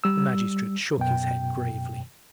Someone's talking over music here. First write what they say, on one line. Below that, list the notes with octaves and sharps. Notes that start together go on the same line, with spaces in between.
The magistrate shook his head gravely.
G3 E6
F#2 B2 G5